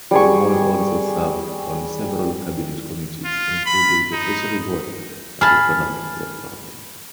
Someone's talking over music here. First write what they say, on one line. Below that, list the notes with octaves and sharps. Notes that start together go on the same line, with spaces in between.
Dingwall also served on several cabinet committees, including the Treasury Board and Economic Development.
G3 G#4 C#6
F4
B5
D#4
G#4 A5 B5 F6